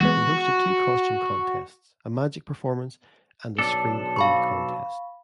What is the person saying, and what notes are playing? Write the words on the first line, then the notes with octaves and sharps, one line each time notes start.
He hosted two costume contests, a magic performance, and a scream queen contest.
E3 G#3 B3 F#4
B1 D4 A4
F5 B5 C#6